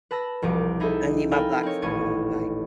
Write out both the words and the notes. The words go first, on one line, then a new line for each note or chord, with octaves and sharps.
I need my blocks to be, like
B4 A5 E6 A#6
E1 C2 F3 D6
D#4 E4 G#4 A4 C5 E5
A4 A#4 F5 G5 G#5 B5
C4 D#4 C#5
D#1 A1 C#6 G#6 D#7